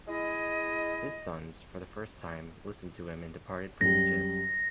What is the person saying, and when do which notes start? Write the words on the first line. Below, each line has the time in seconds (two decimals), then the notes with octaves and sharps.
His sons, for the first time, listened to him and departed for Egypt.
0.08 G#3 E4 D#5
3.81 F#2 G3 A#6